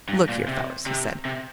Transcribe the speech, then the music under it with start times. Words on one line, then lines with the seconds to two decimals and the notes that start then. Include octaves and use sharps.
"Look here, fellows," he said.
0.09 G2
0.29 A#2
0.48 C3
0.86 C3
1.25 C3